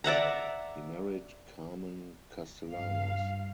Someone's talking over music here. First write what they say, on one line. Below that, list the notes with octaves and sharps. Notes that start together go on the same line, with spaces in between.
He married Carmen Castellanos.
D5 E5 F#5 A#5
G2 F5